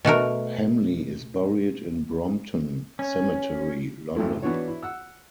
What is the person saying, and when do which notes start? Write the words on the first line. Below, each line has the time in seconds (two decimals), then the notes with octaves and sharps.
Hamley is buried in Brompton Cemetery, London.
0.05 B2 A3 F#4 A#4
2.99 C#4
4.15 G#1 F2 A3 E4
4.42 E3 B3 D4 F#4 C#5
4.68 E4
4.83 F#5 E6